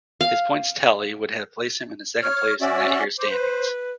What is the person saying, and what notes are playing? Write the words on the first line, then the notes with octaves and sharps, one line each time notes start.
His points tally would have placed him in second place in that year's standings.
F5
C#5 F6
C#4 F#4 D5 E5
C5 D6
B4